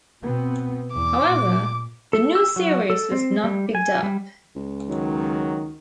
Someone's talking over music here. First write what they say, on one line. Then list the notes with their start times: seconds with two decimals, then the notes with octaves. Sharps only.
However, the new series was not picked up.
0.22 B2 B3 C4
0.94 E2 D6
1.26 A#2
2.13 A4
2.35 E6
2.56 F#3
2.90 A4
3.12 C4
3.44 G3
3.75 G#5
4.03 G3
4.55 C#2
4.89 D#3 F#3